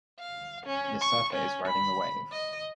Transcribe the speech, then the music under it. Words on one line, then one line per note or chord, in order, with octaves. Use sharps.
The surfer is riding the wave.
F5
C#4
C#6
C#4
B5
D#5